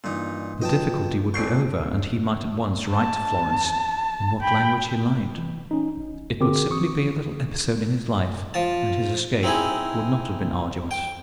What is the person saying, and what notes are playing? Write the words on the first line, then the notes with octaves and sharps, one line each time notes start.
The difficulty would be over, and he might at once write to Florence in what language he liked. It would simply be a little episode in his life, and his escape would not have been arduous.
G2 A#2 E3 D#4
F3 F#3 B3 D#5 G5 A5
F2 A#2 C#6 G6 C7 D7
A5
G5 B5
E3
C#4 D#4
G#1
D3 C4 F#4 G#4 A#4 D6
E3 C#6 D#6
F3 A5
C4 D#4 E4 G#4
G5